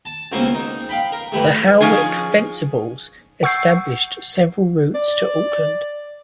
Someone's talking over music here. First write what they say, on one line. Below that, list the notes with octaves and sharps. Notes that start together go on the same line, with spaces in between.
The Howick Fencibles established several routes to Auckland.
A5
C#2 B2 A#3 C4 C#4 C#6
D#4
F5 G5 B5
A#4
G2 E3 G3 A3
F3 C#4 D#4 G#4
F#5 C#6 E6 G6 C7
D5